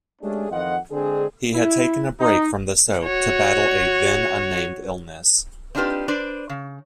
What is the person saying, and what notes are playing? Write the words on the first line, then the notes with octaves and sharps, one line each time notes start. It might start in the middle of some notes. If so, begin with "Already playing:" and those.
He had taken a break from the soap to battle a then unnamed illness.
G#3 A3 C#4 D4 G4 G#4
F2 D#3 E3 F4 D#5 F#5
D3 G#3 C4 D4 G#4
E4
D#4
F#4 C#5
C4 D4 D#4 F4 G4 B4
D4 B4 C5 D5
C#3